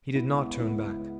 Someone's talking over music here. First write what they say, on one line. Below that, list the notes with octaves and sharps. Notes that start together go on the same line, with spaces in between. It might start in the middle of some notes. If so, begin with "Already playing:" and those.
He did not turn back.
C#2 C#3 G#3 B3 E4
E4